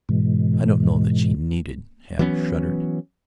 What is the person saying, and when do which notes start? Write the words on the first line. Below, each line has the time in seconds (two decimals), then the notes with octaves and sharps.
I don't know that she need have shuddered.
0.09 G#2 B2 E3 G#3
2.19 E3 F#3 B3 C#4